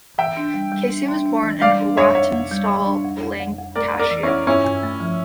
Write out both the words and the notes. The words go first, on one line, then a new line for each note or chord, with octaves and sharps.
Casey was born in Rawtenstall, Lancashire.
E3 E5 G5
D4
G3
G3
D4
D4
D4
E3
G3 D5 F5
D4
F2 C#5 E5
F2 C#5 E5
F2
G3
G3
D4
F2
F2
F2
F2
A3 A#4 D5
F2
A#4 D5
E3
C#4 E4
F2
G2 C#4 E4
G2
A3
F3